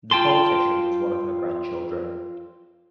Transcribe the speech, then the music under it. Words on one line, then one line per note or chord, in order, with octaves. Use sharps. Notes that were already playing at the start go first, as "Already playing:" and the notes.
The politician was one of her grandchildren.
F4 G5 A5 C6